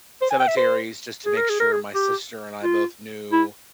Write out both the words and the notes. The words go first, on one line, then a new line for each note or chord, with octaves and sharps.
cemeteries, just to make sure my sister and I both knew,
C5
G#5
G5
E5
C5
G#4
A#4
G#4
A#4
G#4
G4
F4
E4